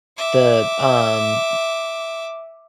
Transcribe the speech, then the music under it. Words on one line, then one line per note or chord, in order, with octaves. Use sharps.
the, um
E5 D6